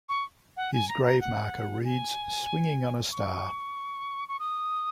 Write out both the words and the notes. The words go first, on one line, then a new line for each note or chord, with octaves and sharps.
His grave marker reads Swinging On A Star.
C#6
F#5
G#5
A#5
A#5
F#5
G#5
C#6
C#6
D#6